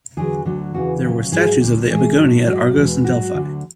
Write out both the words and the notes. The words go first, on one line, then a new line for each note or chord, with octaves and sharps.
There were statues of the Epigoni at Argos and Delphi.
E2 D3 F#3 G#4
D2 D3 F#3
E2 C#3 E3 F#4
D2 C#3 F#3
G#2 F#3 G#4
D2 D3 F#3
A2 E3 G#3 G#4
A2 F#3
G#2 F#3 F#4
E2 B2 G#3
G#2 F#3 F#4
D2 D3 F#3